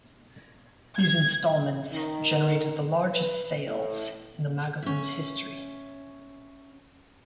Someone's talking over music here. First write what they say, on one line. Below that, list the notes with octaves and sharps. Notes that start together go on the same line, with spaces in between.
These installments generated the largest sales in the magazine's history.
G#6
D#3
B4
A2
C#4 E5